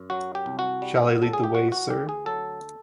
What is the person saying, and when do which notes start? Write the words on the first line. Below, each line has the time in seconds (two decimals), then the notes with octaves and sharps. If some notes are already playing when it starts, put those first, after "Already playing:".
Shall I lead the way, sir?
Already playing: F#2
0.10 F#3 F#4
0.35 G4
0.46 C2
0.59 F#4
0.82 G3
1.18 A2 A4
1.33 G#4
1.44 G4
1.54 E3 F#4
1.72 F#4
1.90 D2 G4
2.09 G#4
2.26 F#3 A4